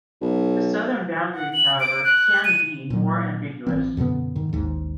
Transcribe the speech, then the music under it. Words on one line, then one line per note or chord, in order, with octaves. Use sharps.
The southern boundary, however, can be more ambiguous.
B1
F#5
F#7
D7
F#6
D#7
A#2 F#3
A1 E3 C4
F#2 B2 D3 B3
G#2 D#3
A1 D#2 G#2